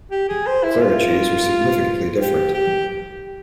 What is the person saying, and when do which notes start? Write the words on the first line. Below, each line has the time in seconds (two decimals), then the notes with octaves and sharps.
Cleruchies were significantly different.
0.11 G4
0.29 G#4
0.47 C5
0.63 E4
0.81 F4
2.20 G4
2.54 G4